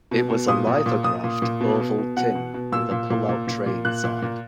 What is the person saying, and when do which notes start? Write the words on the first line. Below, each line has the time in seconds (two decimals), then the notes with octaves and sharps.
It was a lithographed oval tin, with a pull-out tray inside.
0.11 B2
0.30 B2
0.48 A#2 D#6
0.67 A#2
0.86 A#2
1.04 A#2 D#6
1.24 A#2
1.42 A#2
1.60 B2
1.80 B2
1.98 B2
2.17 B2 F#5
2.35 B2
2.54 B2
2.72 A#2 E6
2.91 A#2
3.10 A#2
3.29 A#2
3.47 A#2
3.66 A#2
3.85 A#2 F#6
4.04 A#2
4.22 A#2